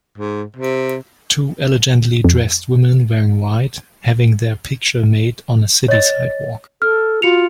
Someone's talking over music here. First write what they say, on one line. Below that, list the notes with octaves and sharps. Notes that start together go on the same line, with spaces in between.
Two elegantly dressed women wearing white having there picture made on a city sidewalk.
G#2
C3
F2
C#5 D#5 A6
A4 F6
F4 F#4 C#7 F7